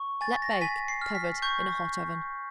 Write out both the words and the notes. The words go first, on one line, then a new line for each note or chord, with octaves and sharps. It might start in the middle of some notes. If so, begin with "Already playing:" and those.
Let bake, covered, in a hot oven.
Already playing: C#6
G#5 A6
A#6
G#5 B6
C7
F6
B6
C#6 G6